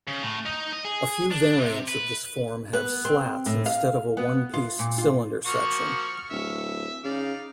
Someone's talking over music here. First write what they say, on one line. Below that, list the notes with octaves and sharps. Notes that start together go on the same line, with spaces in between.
A few variants of this form have slats instead of a one-piece cylinder section.
C#3
A2
D#4
D#5
G#4
D4
C3
B4
B3
C4
A2
F5
B3
F4
A#2
F4
F3 A#3 F#4 C#6 F6
D1 E5
C#3 D#4 D5 F5